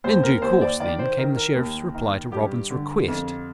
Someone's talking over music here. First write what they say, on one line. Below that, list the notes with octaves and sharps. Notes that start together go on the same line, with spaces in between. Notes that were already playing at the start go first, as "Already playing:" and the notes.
In due course, then, came the Sheriff's reply to Robin's request.
D#2 C5
A#4
D#2 C5
D5
D#3 D5
C5
D#3 A#4
A#4
D#2
D#3
G2 G4
D3
F2